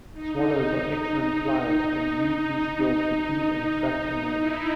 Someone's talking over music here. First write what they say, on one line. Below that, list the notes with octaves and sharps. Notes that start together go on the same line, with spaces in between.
Swallows are excellent flyers, and use these skills to feed and attract a mate.
D#4
E4